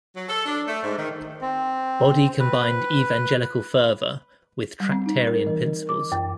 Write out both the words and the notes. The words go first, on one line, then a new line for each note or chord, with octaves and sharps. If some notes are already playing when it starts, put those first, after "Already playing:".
Body combined evangelical fervour with tractarian principles.
F#3
A4
D4
A3
G#2
D#3
C4
B4
G3
C4
D#4
A#4
E3
D6
F#2